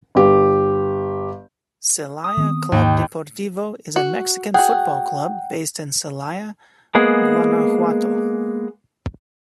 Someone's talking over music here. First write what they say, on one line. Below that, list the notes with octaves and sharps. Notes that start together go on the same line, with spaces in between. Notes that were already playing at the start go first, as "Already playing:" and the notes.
Celaya Club Deportivo is a Mexican football club based in Celaya, Guanajuato.
G1 G4
D#6
D#3 B3 C4
D#2 G#2 D#5 G5
F#4
F#4 G#4 F#5 G5
G#3 A#3 B3 G#4 F#5